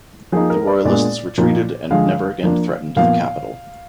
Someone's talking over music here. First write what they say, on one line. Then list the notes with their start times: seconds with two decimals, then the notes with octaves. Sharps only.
The royalists retreated and never again threatened the capital.
0.32 F3 A#3 D#4 G#4
0.50 A#4
0.67 D5
0.85 A#2 G#3 B3 D4 D5
1.38 A#2 F3 A#3 D#4
1.90 D3 F3 G#3 F5
2.43 F3 A#3 D4
2.96 A#2 F3 B3 F5